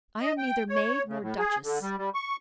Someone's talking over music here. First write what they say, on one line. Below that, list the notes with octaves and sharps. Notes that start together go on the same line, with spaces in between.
I am neither maid nor duchess.
D#5
G5
C#5
C#3
A2
G#4
D3
G3
G3
C#6